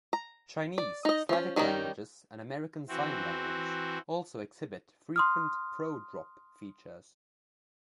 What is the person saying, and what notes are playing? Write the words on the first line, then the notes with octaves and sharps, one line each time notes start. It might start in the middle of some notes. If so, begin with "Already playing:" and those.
Chinese, Slavic languages, and American Sign Language also exhibit frequent pro-drop features.
A#5
D5
D#4 D#5
F3 C#4
D#3 G3 C#4 D#4
E3 C4 F#4
C6 D#6 F6